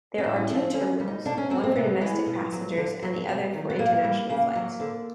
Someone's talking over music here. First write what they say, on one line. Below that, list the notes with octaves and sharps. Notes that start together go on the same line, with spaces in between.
There are two terminals, one for domestic passengers and the other for international flights.
C#4
A2 D4
C#4
F3 G#3 C4
D3 C#4
G3
D#4
B2 D4
C#4
F#3 C4
C4
C3 B3
E3 G#3
B2
F#3
D3
F#3
C3
D#3 F#3
B3
A#2 A#3
G3
C#3 A#3
F#3
D3